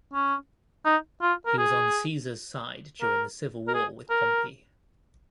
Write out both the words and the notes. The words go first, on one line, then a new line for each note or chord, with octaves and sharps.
He was on Caesar's side during the Civil War with Pompey.
C#4
D#4
F4
A#4
G#4
A#4
A#4
G#4
A#4